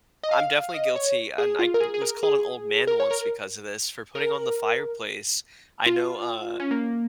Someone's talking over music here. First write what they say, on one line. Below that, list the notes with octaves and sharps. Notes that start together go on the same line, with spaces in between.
I'm definitely guilty, and I was called an old man once because of this, for putting on the fireplace. I know, uh,
D#5
F5
F5
D#5
C#5
G#4
F4
A#4
G#4
G#4
A#4
G#4
A#4
C#5
A#4
A#4
F4
C#4
A#3